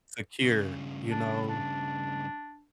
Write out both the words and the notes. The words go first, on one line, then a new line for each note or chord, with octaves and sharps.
secure, you know?
G2 C#3
D4
D4